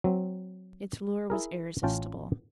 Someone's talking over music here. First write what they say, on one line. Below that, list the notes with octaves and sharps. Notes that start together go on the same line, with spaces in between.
Its lure was irresistible.
F#3 C4
E4 G#4 A#4
A1 C#4 F4 G5 A5